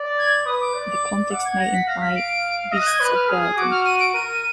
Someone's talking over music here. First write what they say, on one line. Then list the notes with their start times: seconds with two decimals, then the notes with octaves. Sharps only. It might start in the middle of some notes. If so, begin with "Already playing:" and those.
The context may imply beasts of burden.
Already playing: D5
0.18 G#6
0.46 B4 D#6
0.61 D6
0.74 D5
1.31 F#5 D6
1.45 G#6
1.60 A#6
1.73 B6
1.87 F5 A#6
2.01 B6
2.15 D7
2.72 D#5 A#6
2.80 F#6
2.87 G#6
3.00 B4 F#6
3.15 F6
3.29 G#4 F6
3.43 D#6
3.57 F#4 D6
3.71 F6
3.85 D#7
4.00 D7
4.14 A#4 D#7